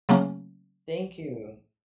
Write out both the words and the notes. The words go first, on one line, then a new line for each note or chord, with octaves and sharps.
Thank you.
C#3 F#3 A3 A#3 C#4